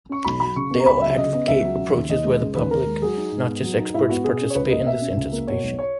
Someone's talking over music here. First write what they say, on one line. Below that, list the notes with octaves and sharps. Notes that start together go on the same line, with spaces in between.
They all advocate approaches where the public, not just experts, participate in this "anticipation".
C#4 C#6
B1 B5
F#3 B5
C#3 C#6
B3
A#5
C#2 B5
F#3 E5
C#3 D#5
B3 D#5
C#2 E5
F#3
C#3
D#2
D#2 D#5
G#3
C#3
D#2 B4
D#2 A#4
G#3
F#3 G#4
D#4
G#2
B3
F#3
D#4
G#2 E4
B3 F#4
B2 G#4
C#4
C#5
C#2 B4
A#3 D#5
B2 E5
C#4
C#2
A#3
B2 C#5
B1
C#5